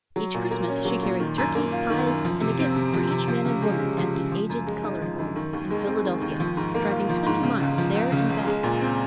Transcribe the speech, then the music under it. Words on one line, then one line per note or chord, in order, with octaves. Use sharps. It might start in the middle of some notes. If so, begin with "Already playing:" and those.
Each Christmas she carried turkeys, pies, and a gift for each man and woman at the "Aged Colored Home," in Philadelphia, driving twenty miles, there and back.
F#3
A#2
A#3
C#4
F#3
A#2
D#3
F#2
A#3
F4
D#3
F#2
F3
C3
C4
C3
F3
C3
F3
C#3
G#3
C#3
F3
C#3
F3
F#2
G#3
D#4
F3
F#2
D#3
D#2
G#3
C4
D#3
D#2
F3
G#2
A#3
F4
F3
G#2
C#3
C#2
F3
C#2
C#3
C#2
G#3
A#2
C4